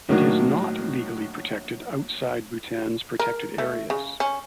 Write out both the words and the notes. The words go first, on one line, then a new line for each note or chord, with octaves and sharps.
It is not legally protected outside Bhutan's protected areas.
A2 D#3 F#3 A#3 D4
A#4
A3
C#3
C#4